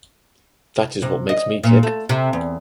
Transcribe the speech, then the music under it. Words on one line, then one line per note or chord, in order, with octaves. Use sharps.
That is what makes me tick.
C3
D#5
A#2
A3
C3
E2